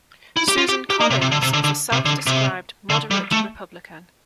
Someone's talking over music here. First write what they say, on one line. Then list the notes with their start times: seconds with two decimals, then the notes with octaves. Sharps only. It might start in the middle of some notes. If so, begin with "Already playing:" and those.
Susan Collins is a self-described moderate Republican.
0.37 E4
0.48 G4
0.58 F4
0.69 G4
0.90 G4
1.00 A#3
1.11 C3
1.22 C3
1.32 D3
1.42 C3
1.53 D3
1.64 D3
1.92 C3
2.05 D3
2.27 C3
2.90 D3
3.11 G3
3.32 A3